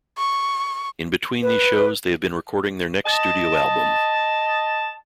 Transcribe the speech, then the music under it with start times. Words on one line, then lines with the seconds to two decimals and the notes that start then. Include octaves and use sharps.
In between these shows they have been recording their next studio album.
0.18 C#6
1.43 B4
3.06 D#5 A5